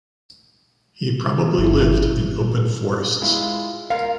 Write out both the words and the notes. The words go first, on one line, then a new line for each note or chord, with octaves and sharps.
He probably lived in open forests.
G1 E4
G#3 E4 F4
F4 A#4 F5